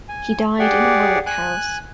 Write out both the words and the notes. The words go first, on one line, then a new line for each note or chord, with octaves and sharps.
He died in a workhouse.
G#5
G4 G#4 D5 F#5
G#5 F#6